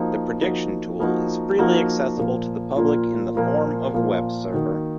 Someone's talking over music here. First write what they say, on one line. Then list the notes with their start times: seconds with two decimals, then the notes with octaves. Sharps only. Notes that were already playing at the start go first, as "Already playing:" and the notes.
The prediction tool is freely accessible to public in the form of web server.
Already playing: F3 A#3 D#4 F#4
0.41 F3 A#3 D#4 F#4
1.00 F3 A#3 D#4 F#4
1.59 F3 A#3 D#4 F#4
2.17 A#2 F3 A#3 F4
2.77 A#2 F3 A#3 F4
3.35 A#2 F3 A#3 F4
3.94 A#2 F3 A#3 F4
4.53 D#3 A#3 D#4 F#4